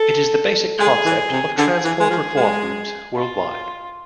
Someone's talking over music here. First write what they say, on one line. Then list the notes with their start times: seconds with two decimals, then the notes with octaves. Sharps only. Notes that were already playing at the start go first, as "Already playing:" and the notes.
It is the basic concept of transport reform groups worldwide.
Already playing: A4
0.78 G#3 G#4
1.05 E3
1.32 C3
1.58 D3 G#4
1.84 E3
2.00 G#3
2.10 F3
2.36 G#3
3.15 F4